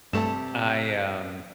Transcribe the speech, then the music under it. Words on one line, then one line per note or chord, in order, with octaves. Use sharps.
I, um,
G2 C3 A3 A5 E7